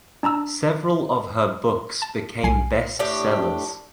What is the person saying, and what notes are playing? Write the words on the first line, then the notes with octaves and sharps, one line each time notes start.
Several of her books became best sellers.
D4 A5 A#5 E6
A5
B1 G#5 C7
A2 D4 G4